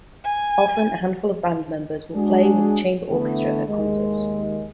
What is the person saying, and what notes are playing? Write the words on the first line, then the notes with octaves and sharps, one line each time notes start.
Often, a handful of band members will play with the chamber orchestra at concerts.
G#5
G#3 D4 F#4 G#4
D3 E3 A3 B3
D#2 G#3